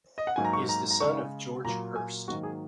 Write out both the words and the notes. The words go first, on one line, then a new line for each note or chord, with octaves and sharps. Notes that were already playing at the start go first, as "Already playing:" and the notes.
He is the son of George Hurst.
D#5
F#5
G#2 F#3 A#3 G#5
A#5
C#6
A#5
A#5
C#3 G#3 C#6
A#2 F#3 A#3 A#5
G#5
G#2 D#3 F#3 A#3 F#4
G#4